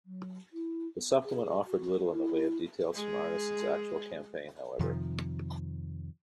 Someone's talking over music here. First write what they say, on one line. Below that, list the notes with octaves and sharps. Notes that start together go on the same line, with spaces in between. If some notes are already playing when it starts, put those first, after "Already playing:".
The supplement offered little in the way of details from Arneson's actual campaign, however.
F#3
E4
B3
G#4
F#4
E4
G#3 G#4
F2 C3 D#3 F3